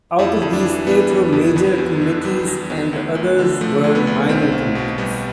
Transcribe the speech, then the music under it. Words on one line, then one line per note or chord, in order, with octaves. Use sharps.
Out of these, eight were major committees and the others were minor committees.
F2 E4
F2
D4
E3
G3 B3
F2
F2
E2 B3
E2
D3
G3 B3
E2
E2
D2
D2
D3
F3 A3
D2
B3
D2
B1 C4
B1
B2
G3 B3